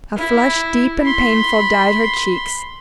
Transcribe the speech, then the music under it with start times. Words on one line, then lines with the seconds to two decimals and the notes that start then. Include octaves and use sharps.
A flush, deep and painful, dyed her cheeks.
0.17 E4
1.02 B5 C6